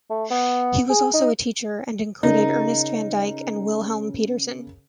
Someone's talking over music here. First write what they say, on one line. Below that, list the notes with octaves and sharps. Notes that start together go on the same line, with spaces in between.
He was also a teacher, and included Ernest van Dyck and Wilhelm Petersen.
A3
B3
G#4
D#4
C#3 D#4 A#4